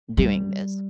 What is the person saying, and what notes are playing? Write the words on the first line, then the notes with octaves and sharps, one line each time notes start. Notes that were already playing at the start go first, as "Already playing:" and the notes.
doing this.
G3